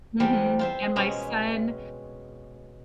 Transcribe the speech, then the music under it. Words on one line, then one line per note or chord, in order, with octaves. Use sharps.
Mhm, and my son
E2 G3 C4 A#4 G5
F4 C5 E5
B2 G#3 C#4 A#5 B5